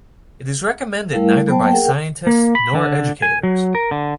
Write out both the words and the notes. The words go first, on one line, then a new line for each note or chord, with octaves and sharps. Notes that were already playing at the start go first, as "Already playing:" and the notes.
It is recommended neither by scientists nor educators.
G3 A3 E4 A#4 F5
F#3 B3 C5 G5 A5
A#3 G5
G#4 A#4 F#5 G5
A#3
B5
D3
G#5
F#3
A#4
D3